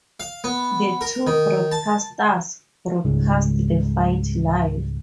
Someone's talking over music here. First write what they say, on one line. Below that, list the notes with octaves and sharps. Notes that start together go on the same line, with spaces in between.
The two broadcasters broadcast the fight live.
F5
B3
A#4
D#3
A5
C#2 G#2 C#3 G3